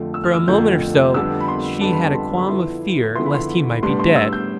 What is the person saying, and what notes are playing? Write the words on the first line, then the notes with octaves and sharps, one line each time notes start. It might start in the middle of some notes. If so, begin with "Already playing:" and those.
For a moment or so she had a qualm of fear lest he might be dead.
Already playing: F2 D3 F3 A3
E6
F6
E6
F2 D3 F3 A3 G6
F2 D3 G3 B3 D4 E6
B5
C6
F2 D3 G3 B3 D4 A5
B5
A5
C6
B5
D3 F3 B3 E4 C6
D3 F3 B3 E4 C6
B5
C6
A2 G3 B3 D4 C6
C6
E6
G6